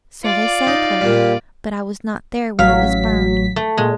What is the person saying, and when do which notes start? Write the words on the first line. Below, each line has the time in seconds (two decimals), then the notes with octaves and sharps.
"So they say, Clara; but I was not there when it was burned."
0.24 F4 D5
0.67 D#4
1.01 A#2 G3
2.59 A1 F#3 F5 B6
3.56 A3
3.77 A#2 G#3